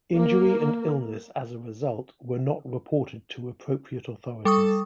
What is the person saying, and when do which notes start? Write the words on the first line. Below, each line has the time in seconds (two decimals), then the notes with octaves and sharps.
Injury and illness as a result were not reported to appropriate authorities.
0.17 A#3
4.45 G3 A4 C#6 D#6